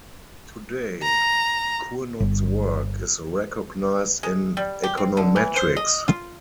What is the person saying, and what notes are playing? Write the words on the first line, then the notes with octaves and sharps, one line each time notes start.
Today, Cournot's work is recognized in econometrics.
A#5
G1
G#3
G3
G4
C4
D3
E3
C5
D#5
F4